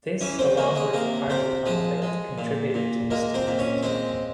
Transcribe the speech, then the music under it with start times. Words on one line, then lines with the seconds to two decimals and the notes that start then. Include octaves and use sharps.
This, along with party conflict, contributed to his defeat.
0.21 E3 C#4 C#5
0.39 C4 C5
0.57 G#3 A#3 A#4
0.75 G#3 G#4
0.93 C3 A#3 A#4
1.30 C3 C4 C5
1.66 F3 G#3 G#4
2.02 G#3
2.38 A#2
2.74 A#2
3.10 G#3 A#3 A#4
3.34 C4 C5
3.47 A#2
3.59 C#4 C#5
3.83 G#3 C4 C5